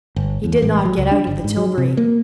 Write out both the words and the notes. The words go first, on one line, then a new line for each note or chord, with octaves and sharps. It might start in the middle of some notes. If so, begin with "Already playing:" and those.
He did not get out of the tilbury.
G1
E2
A1
F#3
C#2
D4
G1
G#2
F#3
C3
A#3